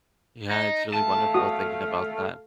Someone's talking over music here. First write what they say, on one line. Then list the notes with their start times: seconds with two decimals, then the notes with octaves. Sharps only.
Yeah, it's really wonderful thinking about that,
0.51 D#4
0.94 A3 F5 A5
1.34 F#4 D#6